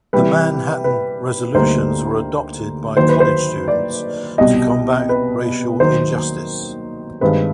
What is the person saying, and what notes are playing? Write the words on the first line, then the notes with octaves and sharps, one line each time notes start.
The Manhattan Resolutions were adopted by college students to combat racial injustice.
C3 E3 G3 B4
B4
D2 D3 G3 A#3 D#4 C5
D#2 D#3 F#3 C5
B4
C5
D5
C2 B2 G3 D#5
B4
D#2 D#3 F#3 A#3 C5
G2 D#3 G#3 C4 B4